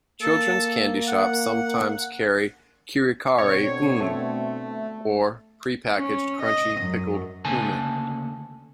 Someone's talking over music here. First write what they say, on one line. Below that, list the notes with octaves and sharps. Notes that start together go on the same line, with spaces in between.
Children's candy shops sometimes carry "karikari ume", or prepackaged, crunchy pickled ume.
A#3 A4
F#5
B2 D3 C4 C#5
A3
C#4
D#5
F#2
D2 C#3 A#3 A4 G#5 A5